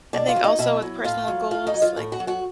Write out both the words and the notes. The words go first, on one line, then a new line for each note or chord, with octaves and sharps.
I think also with personal goals, like
B2 D4 D5
F4 F5
F#3
D#4 D#5
B2 E4 E5
F#3
A2 F4 F5
F#3
A2 F4 F5
D#4 D#5
F#3
F4 F5
A2
F#4 F#5
F#3
F#4 F#5